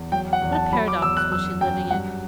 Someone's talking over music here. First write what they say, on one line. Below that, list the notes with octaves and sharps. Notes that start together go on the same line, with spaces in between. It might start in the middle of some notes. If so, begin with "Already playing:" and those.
What a paradox was she living in!
Already playing: E2
F#3 G5
F#5
E2
A5
F#3 B5
D6
E2 E6
F#6
F#2 E6
F#2 G5
G2 F#5